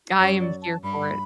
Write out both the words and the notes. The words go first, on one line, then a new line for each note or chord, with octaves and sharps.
"I am here for it."
F#2 F#3 C#5
D5
A5
G2 G3 B5